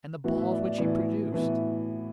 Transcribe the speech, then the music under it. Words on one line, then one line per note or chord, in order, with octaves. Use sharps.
And the balls which he produced!
A2 E3 B3 F#4
E5
D5
D5
A2 E3 B3 D5
A2 E3 B3